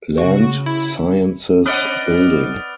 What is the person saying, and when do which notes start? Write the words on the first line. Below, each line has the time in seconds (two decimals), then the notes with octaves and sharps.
Land Sciences Building.
0.18 C#3 F#4
0.66 E4
1.66 C4 B4 D5 D#5 F#5 D#6 F6 D7